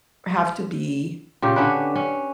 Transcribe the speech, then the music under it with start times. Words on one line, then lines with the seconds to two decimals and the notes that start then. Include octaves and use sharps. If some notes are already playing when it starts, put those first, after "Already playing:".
have to be
1.42 A#2 C#3 G4
1.56 D3 C#4 D4 B4
1.96 C#4